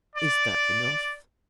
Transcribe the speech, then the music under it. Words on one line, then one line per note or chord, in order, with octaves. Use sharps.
"Is that enough?"
D5